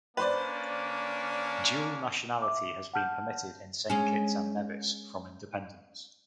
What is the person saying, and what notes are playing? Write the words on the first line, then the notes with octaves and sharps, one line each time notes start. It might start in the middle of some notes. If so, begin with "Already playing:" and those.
Dual nationality has been permitted in Saint Kitts and Nevis from independence.
A#3 C#4 D4 B4 C5 D5
E5 D6
F#5 A5 F6 G6
G#3 C#4